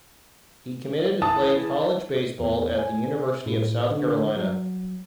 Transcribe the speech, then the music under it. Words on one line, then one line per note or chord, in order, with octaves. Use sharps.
He committed to play college baseball at the University of South Carolina.
E3 A5 D#6
E2
G#5
A2
D3
F#3